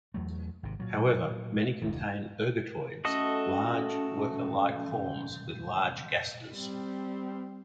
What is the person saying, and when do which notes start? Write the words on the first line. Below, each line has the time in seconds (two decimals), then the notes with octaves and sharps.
However, many contain ergatoids, large, worker-like forms with large gasters.
0.14 E2 F#3 A3
0.63 G#1 C3
0.80 A#2 F#3
1.82 F1 D2 D#3
3.05 A3 C#4 F#4 A4 D#5
6.54 G3 C4